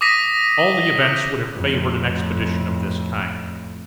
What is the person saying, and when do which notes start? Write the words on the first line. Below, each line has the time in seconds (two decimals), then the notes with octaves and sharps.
All the events would have favored an expedition of this kind.
0.01 D6 D#6 A#6 B6 D#7
1.54 F2 A2